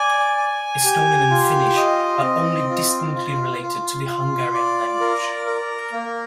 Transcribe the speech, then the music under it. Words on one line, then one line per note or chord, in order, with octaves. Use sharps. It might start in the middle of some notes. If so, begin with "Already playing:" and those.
Estonian and Finnish are only distantly related to the Hungarian language.
Already playing: D5 G#5
G#5
G4
F4
D#5
C4
F4
F4
F4
F4
D5
A#4
A#4
A#3